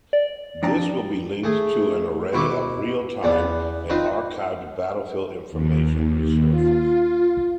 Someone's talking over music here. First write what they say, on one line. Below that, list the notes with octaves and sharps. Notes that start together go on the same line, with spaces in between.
These will be linked to an array of real-time and archived battlefield information resources.
D5
F2 D4 A#5
A3 G#4
B2 E4 C#6 D6
E2 B3 D5
C4 D#4 F4 B4
D#2
F4